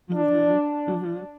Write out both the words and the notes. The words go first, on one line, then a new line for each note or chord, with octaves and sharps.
Mhm. Mhm.
D4